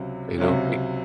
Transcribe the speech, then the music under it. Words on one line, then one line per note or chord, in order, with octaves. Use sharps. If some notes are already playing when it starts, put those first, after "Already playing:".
You know, i
Already playing: C#2 C3 F#3 C#4
C#2 C3 F#3 C#4